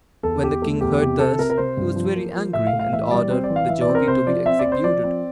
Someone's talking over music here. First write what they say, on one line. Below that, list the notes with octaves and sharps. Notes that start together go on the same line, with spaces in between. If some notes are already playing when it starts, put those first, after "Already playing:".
When the king heard this he was very angry, and ordered the jogi to be executed.
E2 A4
E2 G4
A3
E2 G4
C3 G4
C3 A4
C3 A#4
A#4
C3 C5
G2
F3
A#3
F3
A2 E5
F5
A2
F5
E3 E5
G3 D5
C4 C5
D5
E3
F5
E3 E5
D5
C4
A#4
C3 C5
F3 D5
C4 E5
D5
C4
C5
F3 D5
C4